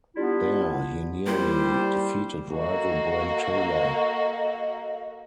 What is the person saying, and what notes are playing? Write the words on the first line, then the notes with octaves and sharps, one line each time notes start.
There, he nearly defeated rival Brent Taylor.
G3 B3 D4 E4 F4
G3 A#3 E4 G4 C5
A#3 F#4 A4 D#5 F5